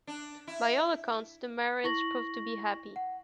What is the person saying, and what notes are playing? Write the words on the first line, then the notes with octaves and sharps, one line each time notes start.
By all accounts, the marriage proved to be happy.
D4
E4
E4 C#6 A#6 F#7
F#5